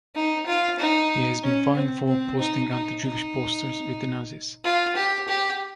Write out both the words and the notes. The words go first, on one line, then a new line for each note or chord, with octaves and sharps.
He has been fined for posting anti-Jewish posters with the Nazis.
D#4
F4
D#4
C#4
C4
C4
D#4
D#4
D#4
F4
G4
G4